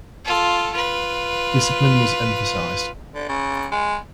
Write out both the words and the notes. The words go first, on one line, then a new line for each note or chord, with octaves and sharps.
Discipline was emphasised.
F4 A4
F4 B4
D3
C#3
G#3